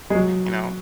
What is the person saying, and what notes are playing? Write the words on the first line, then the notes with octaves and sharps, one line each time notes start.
You know?
G#3
F#3